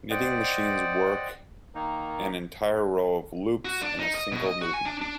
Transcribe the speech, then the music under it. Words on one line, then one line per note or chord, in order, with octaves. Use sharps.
Knitting machines work an entire row of loops in a single movement.
C5 D5 D#5 F#5 G5
D#3 A#3 D#4
F#4
D4
D#4
D#5
B2
D#5
F#4
G#5
D4
D4